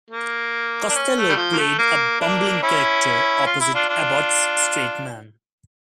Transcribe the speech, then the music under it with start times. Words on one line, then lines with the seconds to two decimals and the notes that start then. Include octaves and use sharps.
Costello played a bumbling character opposite Abbott's straight man.
0.10 A#3
0.89 D4
0.96 C#4
1.16 A3
1.29 G3
1.37 F3
1.53 A#3
1.57 A3
1.79 A#3
2.20 A#3 D4
2.62 C#4 E4
3.46 F4
3.60 E4
3.74 D4 F4
3.89 D4 F4